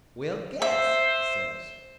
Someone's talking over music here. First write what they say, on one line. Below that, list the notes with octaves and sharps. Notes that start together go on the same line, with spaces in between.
"Well, guess," he says.
C5 E5